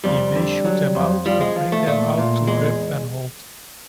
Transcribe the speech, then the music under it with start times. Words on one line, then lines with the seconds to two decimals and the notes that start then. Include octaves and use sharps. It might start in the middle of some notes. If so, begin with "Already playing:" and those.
He may shoot them out or bring them out to grab and hold.
0.04 F2 G3
0.35 D3
0.65 F#3
0.95 F2
1.26 F3 G3
1.41 G#3
1.56 F3
1.72 A3
1.87 A#2 A3
2.18 A#2
2.47 E2 G#3